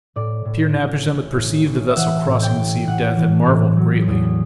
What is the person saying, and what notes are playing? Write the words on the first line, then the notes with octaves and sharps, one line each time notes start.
Pir-napishtim had perceived the vessel crossing the Sea of Death and marvelled greatly.
A2 D5
A2
A1
A1
A1
A1
E5
E3 F#5
A1
G5
A1
A1 F#5
E3
A2
F#3
E2